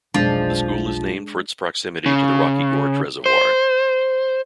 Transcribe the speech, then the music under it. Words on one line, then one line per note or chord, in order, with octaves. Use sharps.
The school is named for its proximity to the Rocky Gorge Reservoir.
F1 B1 F3 G#3 D4
C#3
C5